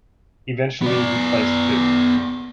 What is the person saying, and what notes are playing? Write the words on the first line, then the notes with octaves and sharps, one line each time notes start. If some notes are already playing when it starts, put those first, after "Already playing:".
Eventually, he placed fifth.
B3 D5